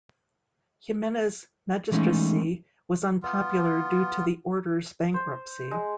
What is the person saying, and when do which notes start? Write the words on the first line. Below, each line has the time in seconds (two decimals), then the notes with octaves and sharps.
Ximenes' magistracy was unpopular due to the Order's bankruptcy.
1.91 E3 G#3 A3 C#4 D#4
3.23 B3 F4
5.14 C5
5.71 G#3